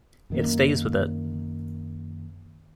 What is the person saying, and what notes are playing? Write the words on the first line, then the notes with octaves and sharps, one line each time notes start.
It stays with it.
F#2 D#3 A#3